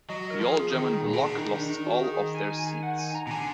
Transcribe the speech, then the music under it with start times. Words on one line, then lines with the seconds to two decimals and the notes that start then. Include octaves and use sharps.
The All-German Bloc lost all of their seats.
0.09 F#3 D#5
0.30 A#4
0.41 F3
0.52 G#4
0.73 D#3
1.02 A#2
1.13 B2
1.25 D3
1.37 D#3 D#4
1.54 D4
1.69 D#4
1.86 F#4
2.02 G#4
2.35 G#5
2.50 G#5
2.66 G#5
2.83 F#5
2.99 G#5
3.15 A#5
3.27 B2
3.31 D3 G#5